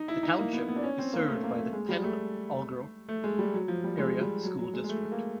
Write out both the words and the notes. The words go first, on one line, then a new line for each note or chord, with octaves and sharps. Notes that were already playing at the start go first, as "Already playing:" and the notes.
The township is served by the Pen Argyl Area School District.
Already playing: D#4
E4
D#4
A#3
B3
B3
D4
C#4
C4
A#3
A3
A#3
A3
G#3
G3
A3
A3
G#3
G3
F#3
F3
G3
G#3
G3
F#3
F#3
G#3
G#3
A3
A#3